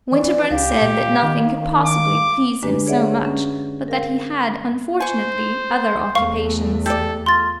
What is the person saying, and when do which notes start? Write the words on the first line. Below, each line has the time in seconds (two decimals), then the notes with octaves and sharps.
Winterbourne said that nothing could possibly please him so much, but that he had unfortunately other occupations.
0.12 E3 D5
0.51 C#2 G4 F5
0.81 A#2
1.22 D#3
1.86 D6
2.63 F#2 D3 G#3 D4 G4 B4
2.86 G#4 C#5 D5 E5 F#5
3.25 C#4
3.88 A#4 F5
5.00 C5 G#5 C#6
6.15 E2 A3 F5 C#6
6.86 G4 A4 D5
7.26 F4 C6 A6